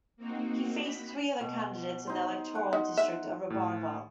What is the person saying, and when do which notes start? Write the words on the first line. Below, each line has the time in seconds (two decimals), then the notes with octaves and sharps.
He faced three other candidates in the electoral district of Roberval.
0.17 A#3 C4 D#4 F#4
0.82 B5
1.41 B2
2.07 D#4 C5
2.55 F#5
2.73 D#4
2.97 E5
3.50 A2